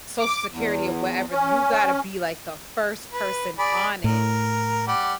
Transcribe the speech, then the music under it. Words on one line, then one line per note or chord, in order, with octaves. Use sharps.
Social Security or whatever, you gotta be like the first person on it,
D6
E2
C#4
B4
G#4 D5 B5
A2 A#4
G3 F#5 D6